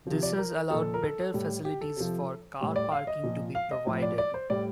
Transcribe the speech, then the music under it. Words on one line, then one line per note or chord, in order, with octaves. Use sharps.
This has allowed better facilities for car parking to be provided.
C3 F3
D5
A#4
A#2 F3 A4
A#4
A4
A2 G3
G4
A4
C3 F3
A2 G3
D5
F5
D#5
A#2 F3
F5
D#5
A2 F3
D5
D5
C5
A2 G3 D5